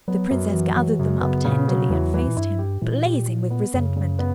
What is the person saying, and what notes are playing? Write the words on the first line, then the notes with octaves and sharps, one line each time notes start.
The princess gathered them up tenderly and faced him, blazing with resentment.
F#3 B3
F#2 F#3
E3 F#3
E3 F#3
F#2 C#3
C#3 B3
A#2 C#3
B2 F#3
E2 E3
E3
A#2
G2 E4
G4
A#2 E3
G4
E4
B3
F#2 C#3
C#3
B3